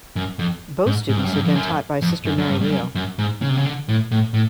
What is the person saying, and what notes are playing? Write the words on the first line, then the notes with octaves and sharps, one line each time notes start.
Both students had been taught by Sister Mary Leo.
F#2
F2
G#2
G#2
G2
F#2
G2
F2
F#2
F2
F#2
F#2
G2
G2
F#2
F#2
G#2
C#3
C3
C#3
D3
A2
A2
A2